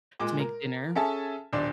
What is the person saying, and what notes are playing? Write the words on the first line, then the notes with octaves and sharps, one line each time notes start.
to make dinner,
A#2 G#3 D6
A#4
C#4 G#4 A4 E5 G#5 A5
D#1 B1 D4 D5 C6